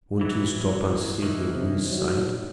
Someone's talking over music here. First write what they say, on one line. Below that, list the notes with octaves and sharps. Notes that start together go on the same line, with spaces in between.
"Won't you stop and see the will signed?"
E3 F#3
D#3 E3
C3
F#3